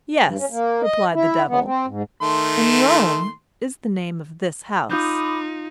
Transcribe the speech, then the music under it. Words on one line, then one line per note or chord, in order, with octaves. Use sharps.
"Yes," replied the devil, "and Rome is the name of this house."
G2
C#4
A#3
D#5
E4
B3
C4
G#2
D#3 A3 C6
D#4 F4 B5 D6 D#6 F6 G6